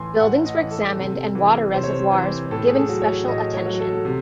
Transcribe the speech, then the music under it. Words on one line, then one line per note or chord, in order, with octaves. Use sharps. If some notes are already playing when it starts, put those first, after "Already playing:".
Buildings were examined and water reservoirs were given special attention.
Already playing: A2 E3 G#5 C6
A2 F#5
D#5
E3
A4
C3
E3
C3 C5
C#5
C5
E3 C5
A2 A4
G#4
A4
F#3
C#5
A2 D#5
C#5
F#3
A4
C3